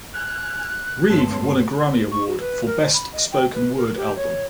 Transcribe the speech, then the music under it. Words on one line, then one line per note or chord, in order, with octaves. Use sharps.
Reeve won a Grammy Award for Best Spoken Word Album.
G#5 F6 F#6
G2 G#3 B3 C#4 A4 C6
C#6
F#4
B4
A#4
C5
B5
D#5
G5
B4
A#4
G4
C#5